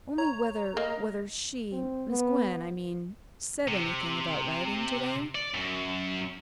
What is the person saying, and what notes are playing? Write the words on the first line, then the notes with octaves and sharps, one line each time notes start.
"Only whether--whether she--Miss Gwen, I mean--said anything about riding to-day?"
C#5 A#5
A#3 D#5
C4
B3
C3
D5
F#2